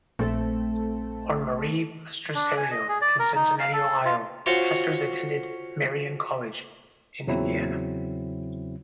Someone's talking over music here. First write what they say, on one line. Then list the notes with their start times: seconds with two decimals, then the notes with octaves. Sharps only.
Born Marie Mastruserio in Cincinnati, Ohio, Masters attended Marian College in Indiana.
0.19 A#1 A3 C4 A4
2.35 D4
2.57 G#5
2.71 D#5
2.88 G#4
3.01 D5
3.19 A#4
3.35 D#4
3.59 F5
3.73 A4
4.05 F4
4.46 C#4 F4 F#4 C5 F5
7.27 E2 C#3 F#3 C4 E4